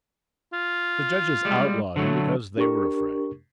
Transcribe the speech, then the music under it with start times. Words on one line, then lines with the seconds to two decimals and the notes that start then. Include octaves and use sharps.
The judges outlawed him because they were afraid.
0.53 F4
1.45 G3 G#3
1.96 D3 F#3 A3
2.57 D4 G4 A#4 C#6